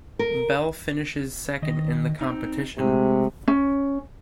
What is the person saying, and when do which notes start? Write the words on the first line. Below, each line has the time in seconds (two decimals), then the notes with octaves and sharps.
Bell finishes second in the competition.
0.19 A#4
1.62 D#3 D#5
2.21 C4 D#4
2.78 C3 G#3 A3
3.48 C#4